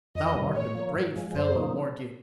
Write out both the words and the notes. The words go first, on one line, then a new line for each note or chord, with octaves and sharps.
Thou art a brave fellow, mordioux!
F2 D#5
C3 D#3 G3
A2 C#5
F3 A#3
G#2
F3 G#3
F#2 C5
C#3 F3 A#3 D#4